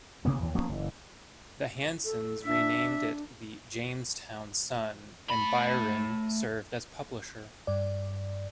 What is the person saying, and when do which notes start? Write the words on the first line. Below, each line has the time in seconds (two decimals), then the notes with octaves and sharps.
The Hansens renamed it the "Jamestown Sun", and Byron served as publisher.
0.25 A1 C3 A#3 B3
0.41 D#2 E3
0.55 F3 A#3 B3 C#4
0.69 F#1 E3
2.05 A4
2.45 D4 E5
5.30 A3 B5
7.67 G2 D5